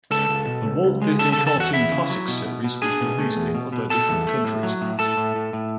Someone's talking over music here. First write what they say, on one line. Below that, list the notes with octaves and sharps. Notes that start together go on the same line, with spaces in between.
The Walt Disney Cartoon Classics series was released in other different countries.
C#2 A4 A5
C#2
B2
C#2
C#2
G#3
C#3 A4 A5
C#3 A4 A5
A4 A5
E2 F#4 F#5
E2 E4 E5
C#3
F#3
B2
B2
B2
D4 G#4 G#5
B2
A3
E2
B2
B2
B2 A4 A5
E2
A3
A2
F#3
A2
A2 A4 A5
A2
A2
A2